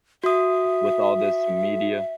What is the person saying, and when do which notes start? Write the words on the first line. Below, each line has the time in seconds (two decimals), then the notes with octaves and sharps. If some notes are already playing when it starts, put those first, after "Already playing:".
with all this media.
0.24 F#4 E5 D#6